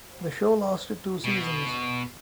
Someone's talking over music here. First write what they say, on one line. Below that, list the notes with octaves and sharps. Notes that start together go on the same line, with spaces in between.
The show lasted two seasons.
B2